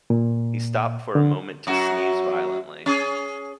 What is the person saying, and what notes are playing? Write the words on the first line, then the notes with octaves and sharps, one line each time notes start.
He stopped for a moment to sneeze violently.
A#2
D3
F#2 F#4
C#4 G#4